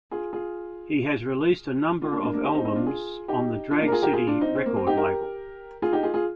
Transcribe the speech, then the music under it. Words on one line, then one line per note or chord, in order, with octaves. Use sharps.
He has released a number of albums on the Drag City record label.
F4 G#4
F4 G#4
D4 F4
A#3 D4
A#3 D4
A#3 D4
D#4 G4
C4 D#4
C4 D#4
D4 F4
F4 G#4
D#4 G4
D4 F4
A#3 D4
A#4
F4 G#4
G4 A#4
F4 G#4
D4 F4
C4 D#4
C4
A#3
C4
D#4 G4
G4 A#4
F4 G#4
D#4 G4
F4 G#4
F4 G#4